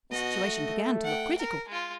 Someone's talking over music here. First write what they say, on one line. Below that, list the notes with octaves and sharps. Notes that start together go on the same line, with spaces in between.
The situation began to look critical.
B2 F#4 D#5
A3
F#5 G5
A#4
G#3 F4